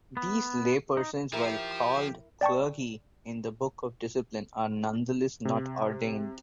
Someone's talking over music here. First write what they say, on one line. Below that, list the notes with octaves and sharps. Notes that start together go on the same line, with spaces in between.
These laypersons while called clergy in the Book of Discipline are nonetheless not ordained.
B3
D#4
F3 E4 G4 A#4
D5 G5 A5 C#6
C3